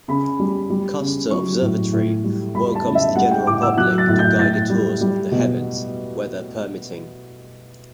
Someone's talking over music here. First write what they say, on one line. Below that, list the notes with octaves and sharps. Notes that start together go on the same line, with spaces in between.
Custer Observatory welcomes the general public to guided tours of the heavens-weather permitting.
C#3 B5
G3
G3
C#3
F#3 C#6
A2
A2
G3
G3 B5
B5
A5
C#3
E5
G3 F#5
G5
A2 D6
E6
F#3 F#6
A6
A2
G6
A2 A6
G3
G3
B2